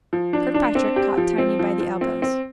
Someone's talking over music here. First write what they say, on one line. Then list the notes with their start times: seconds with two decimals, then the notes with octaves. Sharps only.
Kirkpatrick caught Tiny by the elbows.
0.13 F3
0.33 D4
0.54 D4
0.75 C4
0.96 G4
1.17 F3
1.38 C4
1.59 F3
1.80 F3
2.01 C4
2.22 C4